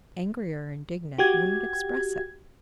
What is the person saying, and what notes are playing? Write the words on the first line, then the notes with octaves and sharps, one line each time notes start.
Angry or indignant wouldn't express it.
F#4 G4 G#6